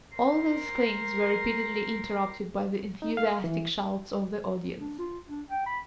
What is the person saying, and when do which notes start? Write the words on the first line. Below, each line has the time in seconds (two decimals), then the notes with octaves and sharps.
All these things were repeatedly interrupted by the enthusiastic shouts of the audience.
0.15 A#4 C5
3.02 D#4
3.17 F5
3.44 E3
4.79 D4
4.99 F4
5.29 D4
5.50 G5
5.66 B5